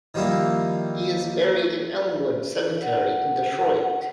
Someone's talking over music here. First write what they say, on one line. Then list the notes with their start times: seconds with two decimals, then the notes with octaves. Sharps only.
He is buried in Elmwood Cemetery in Detroit.
0.14 D#3 F3 G3 A#3 E4
2.82 F#5